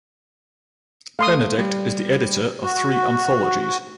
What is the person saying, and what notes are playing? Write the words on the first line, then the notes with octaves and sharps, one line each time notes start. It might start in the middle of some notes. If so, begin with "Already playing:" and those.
Benedict is the editor of three anthologies.
A3 F5 C6 D#6
G3
F#4